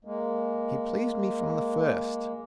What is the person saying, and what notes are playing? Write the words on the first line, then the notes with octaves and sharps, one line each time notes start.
He pleased me from the first.
G#3 A#3